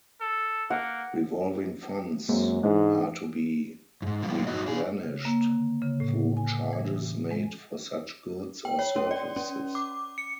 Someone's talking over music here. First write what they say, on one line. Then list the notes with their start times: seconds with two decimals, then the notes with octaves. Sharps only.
Revolving funds are to be replenished through charges made for such goods or services.
0.21 A4
0.70 A#3 F#5
2.29 F#2 G#3 A#3 C4
2.63 G#2 E3 G#3 D4
4.02 F2 G#2
4.22 D3 F3 G3
4.47 G2 F#3 D#4 F#4 D#5
4.66 D4 G#4
5.03 C#3
5.25 A#3
5.50 D3
5.82 C#3
6.00 A2
6.37 G#5
6.73 E3
7.31 G#3
8.65 G5
8.79 C#5
8.96 C#4
9.11 D5
9.36 C#4
9.75 D6
10.18 C#7